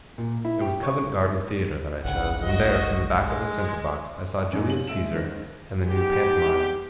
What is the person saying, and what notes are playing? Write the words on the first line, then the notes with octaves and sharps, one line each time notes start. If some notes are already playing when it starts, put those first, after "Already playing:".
It was Covent Garden Theatre that I chose; and there, from the back of a centre box, I saw Julius Caesar and the new Pantomime.
A#2
E4
G4
C#5
G#1 C#2 F#5
F#4 D#5
G#3
F#2 A#2 D#4
F#7
G#3 E5 E6 D7 E7
C#2 D#3 C5 A#6
G#3 B3 D#4 G4